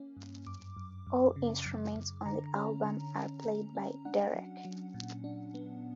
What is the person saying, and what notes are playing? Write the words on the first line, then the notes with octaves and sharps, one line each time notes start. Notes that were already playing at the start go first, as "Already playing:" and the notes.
All instruments on the album are played by Derek.
Already playing: A#3 C#4
G2
F#2 D6
F#2
F#2
C#3
F#2
F#2
D3 A#5
C#4
D3
C#4
D3
C#4
D4 F#5
F#3
F#3
A#2
D4
B3